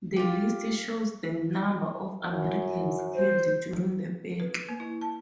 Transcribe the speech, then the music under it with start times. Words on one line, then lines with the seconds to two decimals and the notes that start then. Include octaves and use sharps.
This list shows the number of Americans killed during the battle.
0.16 F4 G4
2.21 F#2
3.14 C5
4.40 B4
4.69 A#3
4.80 E4
5.01 A5